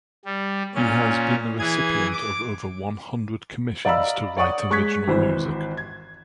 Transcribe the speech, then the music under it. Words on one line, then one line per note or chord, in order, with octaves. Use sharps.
He has been the recipient of over one hundred commissions to write original music.
G3
A#2 C#4
E3 G#4 G#6
D6
D5 D#5 F5 A#5 B5 E6
C#5 D5 F#5 C#6 D#6
G#3 C#6 F#6 G#6 B6
G#1 E3 C5
G#6